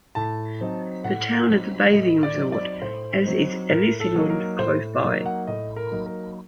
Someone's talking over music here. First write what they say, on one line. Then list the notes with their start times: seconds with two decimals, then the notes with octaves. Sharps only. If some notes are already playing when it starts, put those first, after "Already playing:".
The town is a bathing resort, as is Elisenlund close by.
0.15 A2 A5
0.61 F#3 C4 D#4
1.04 A2 F#5
1.49 F#3 C4 D#4
1.93 A2 D#5
2.23 D5
2.37 F#3 C4 D#4
2.52 D5
2.82 A2 C5
3.25 F#3 C4 D#4
3.70 A2 A#4
4.00 A4
4.15 F#3 A#3 D#4
4.30 A#4
4.59 A2 C5
5.03 F#3 A#3 D#4
5.26 F#5
5.47 A2 D#5
5.76 A#4
5.91 F#3 A#3 D#4
6.06 A#4